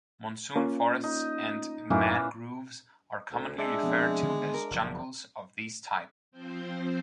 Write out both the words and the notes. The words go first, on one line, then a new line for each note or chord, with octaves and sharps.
Monsoon forests and mangroves are commonly referred to as jungles of this type.
A#3 C#4 F4
D#4
F#2 A2 E3 A#3 C#4 D#4
D2
G#3 D4 E5
F2 B2
D3 D#3 B3
A#4
F#1 F3
F3 C4 C5